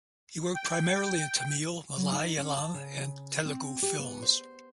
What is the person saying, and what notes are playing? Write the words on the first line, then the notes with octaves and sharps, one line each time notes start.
He worked primarily in Tamil, Malayalam and Telugu films.
G5
F#3
D#4
C#4
A5
C#3
C4
G4
B3
C5